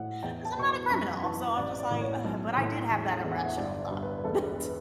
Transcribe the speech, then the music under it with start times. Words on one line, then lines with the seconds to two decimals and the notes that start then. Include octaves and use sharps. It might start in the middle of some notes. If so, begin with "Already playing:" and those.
'cause I'm not a criminal and so I'm just like, "Ugh," but I did have that irrational thought. That
Already playing: A2 F#5
0.23 E2 G5
0.45 A5
0.57 B2 C#6
0.68 D6
0.90 F#2 C#6
1.23 E3 A5
1.57 A1 D5
1.79 D5
1.91 A2
2.01 C#5
2.24 B1
2.57 A2
2.90 E1
3.24 E2
3.31 F#5
3.44 E5
3.57 G1 D5
3.79 D5
3.91 G2
4.03 B4
4.18 B4
4.24 E1 A4
4.47 B4
4.64 B4